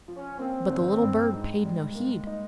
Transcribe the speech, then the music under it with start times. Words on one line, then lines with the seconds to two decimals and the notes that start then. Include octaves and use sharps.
But the little bird paid no heed.
0.08 F3
0.16 C#4
0.38 A#3 C4
0.70 G#1
1.02 G2
1.32 G#2 G#3
1.64 G3
1.95 A#3
2.27 D#4